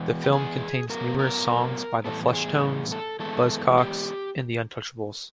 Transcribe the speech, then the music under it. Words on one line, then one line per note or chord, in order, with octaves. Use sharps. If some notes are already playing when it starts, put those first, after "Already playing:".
The film contains numerous songs by The Fleshtones, Buzzcocks and The Untouchables.
Already playing: E3 G#3 B3
G4
G#4
A2 F#3 B3 A#4
A#4
A2 E3 G3 B3 A4
A4
G#4
A4
E3 G#3 B3 A4
G4